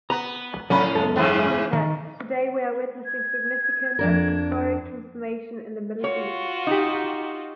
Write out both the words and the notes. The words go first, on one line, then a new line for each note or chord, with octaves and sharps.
In that context, today we are witnessing significant and historic transformation in the Middle East.
B3 A#5
A2 D3 F#3 C#4 B5
C#2 F#2 A4
G#2 C#3 E3
D#3
G#6
F2 D4 A#4
F4 F#4 C#5
D#4 G4